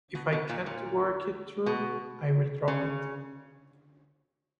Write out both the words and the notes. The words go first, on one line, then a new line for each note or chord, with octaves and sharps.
If I can't work it through, I will drop it.
B2
B2
A#2
A#2
B2
C#3